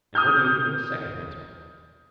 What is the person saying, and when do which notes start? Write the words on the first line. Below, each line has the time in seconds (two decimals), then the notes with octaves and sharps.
And what do you think of a second principle?
0.15 D#6 F6 G6